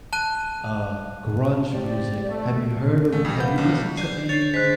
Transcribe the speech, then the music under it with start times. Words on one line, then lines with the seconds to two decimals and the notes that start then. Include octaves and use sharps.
uh, grunge music. Have you heard of Have you listened to any,
0.13 A5 F#6 D#7
1.72 C4 G4 D5
2.27 A3
3.12 A1 A3
3.25 F2 G3
3.40 B3 F5 G6
3.58 B1
3.97 D4 G#5 G6 C7
4.29 C#5 A6 C7
4.54 G#2 F#6 B6